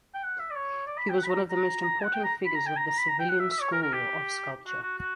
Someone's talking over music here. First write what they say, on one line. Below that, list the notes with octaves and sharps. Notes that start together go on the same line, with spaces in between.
He was one of the most important figures of the Sevillian school of sculpture.
G5
F#5
E5
D5
C#5
D5
B5
G5
F#5
B5
A#5
A#5
A#5
F#5
G5
A#5
B5
A#5
G5
A#5
A#5
B5
A#5
G5
F#5
E5
E5
C#5
A#4
A#4
G4
F#4
F#4
F#4